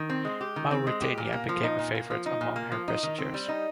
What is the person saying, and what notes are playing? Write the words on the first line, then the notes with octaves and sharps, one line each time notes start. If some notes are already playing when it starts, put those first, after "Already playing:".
"Mauretania" became a favourite among her passengers.
Already playing: D#3
C4
G#3
G4
D#3
C4
G#3
G4
A#2
A#3
F3
D#4
A#2
A#3
F3
D#4
A#2
A#3
F3
D#4
D#3
C4
G3
D#4